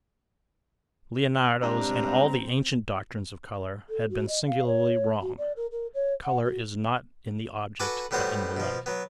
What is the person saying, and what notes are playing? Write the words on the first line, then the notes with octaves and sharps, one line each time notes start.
Leonardo's and all the ancient doctrines of colour had been singularly wrong; colour is not in the object but in the light.
G2 G3 G#3 C4 A#5
A4
F#4
D#5
F5
C#5
F#4
D5
A#4
A#4
C#5
F#5
F#4
F#4 A4 B4 G#5 B5 D6
A2 G3 B3 F#4 C5
B2 F3
F#3 B3